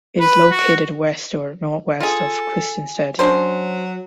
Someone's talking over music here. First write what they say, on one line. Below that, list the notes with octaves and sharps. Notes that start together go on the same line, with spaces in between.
It is located west or northwest of Christiansted.
B4
F#4
F4 G#4 A4
F#3 C#4 D4 C5